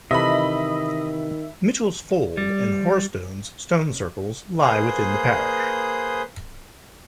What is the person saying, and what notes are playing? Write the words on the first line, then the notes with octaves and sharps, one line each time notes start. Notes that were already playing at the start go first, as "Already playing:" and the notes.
Mitchell's Fold and Hoarstones stone circles lie within the parish.
C3 D#3 E3 A4 D#5 E5 B5
G3
A#3 G#4 B4 C5 D#6 G6